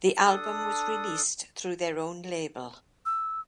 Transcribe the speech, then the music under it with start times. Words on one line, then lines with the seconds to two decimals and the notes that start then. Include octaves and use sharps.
The album was released through their own label.
0.25 D4 A4 D#6
3.06 E6